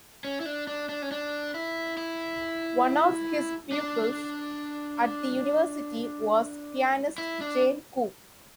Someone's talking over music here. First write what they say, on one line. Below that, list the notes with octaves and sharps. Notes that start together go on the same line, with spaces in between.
One of his pupils at the university was pianist Jane Coop.
C#4
E4
D4
D4
D4
C#4
D4
E4
E4
D4
E4
D4